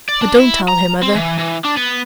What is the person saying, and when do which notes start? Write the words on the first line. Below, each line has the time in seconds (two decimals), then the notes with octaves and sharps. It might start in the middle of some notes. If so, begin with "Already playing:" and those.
But don't tell her, mother.
0.09 D5
0.22 D4
0.39 E4
0.69 A#5
1.03 C4
1.15 E3
1.38 E3
1.64 D4
1.76 B3